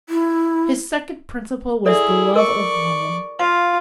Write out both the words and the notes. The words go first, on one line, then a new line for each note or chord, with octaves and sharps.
His second principle was the love of woman.
E4
E4 G#4 A4 D5 E5
A#4 D5 C#6
F4 F5